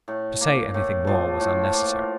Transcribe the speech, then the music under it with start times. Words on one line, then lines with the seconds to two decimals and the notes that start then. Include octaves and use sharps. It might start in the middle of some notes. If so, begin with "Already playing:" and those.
To say anything more was unnecessary.
0.08 A2
0.41 A#3
0.74 A2
1.07 F3
1.40 A2
1.73 A#3